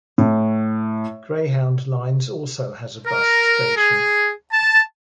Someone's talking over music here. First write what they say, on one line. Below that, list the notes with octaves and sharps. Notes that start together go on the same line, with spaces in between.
Greyhound Lines also has a bus station.
A2
A#4
G#4
A5